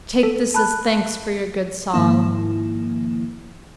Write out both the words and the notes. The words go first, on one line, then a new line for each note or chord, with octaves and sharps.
"Take this as thanks for your good song."
A4
A5 B5 F#6
G#2 D#3 F3 A#3 E4